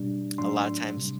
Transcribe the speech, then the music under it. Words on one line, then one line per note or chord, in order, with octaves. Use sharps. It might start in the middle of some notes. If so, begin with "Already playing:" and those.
a lotta times,
Already playing: B2 G3 D4
A2 F#3 A3 D4 C6
C3 G3